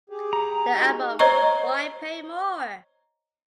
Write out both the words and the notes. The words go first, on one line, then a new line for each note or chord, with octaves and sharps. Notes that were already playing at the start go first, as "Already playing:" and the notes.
The album, Why Pay More?
G4 G#4
A#5
G#3 D#4 F#4
C5 C#5 D#5 A#5 C#6